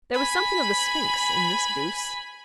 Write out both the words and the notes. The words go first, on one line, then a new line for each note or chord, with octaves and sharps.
There was something of the Sphinx in this goose.
G#5 B5